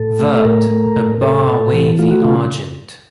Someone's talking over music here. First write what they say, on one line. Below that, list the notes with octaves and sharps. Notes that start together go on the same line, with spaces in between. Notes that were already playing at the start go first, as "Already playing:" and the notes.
Vert, a Bar wavy Argent.
Already playing: A2 A4
A3
A4
A2 A#4
A3
A2
A2 A4
A2
E3
A3 F4
F#4
C#3 F4